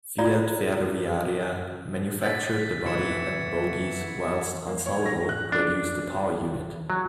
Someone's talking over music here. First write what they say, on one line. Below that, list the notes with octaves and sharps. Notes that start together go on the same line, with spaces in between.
Fiat Ferroviaria manufactured the body and bogies, whilst "Ansaldo" produced the power unit.
E4 F4 D5 A#5
E6 A6 B6
E3 F#3 G#6 C#7 E7
A#3
C#5
A#6
F#6
D4
F#3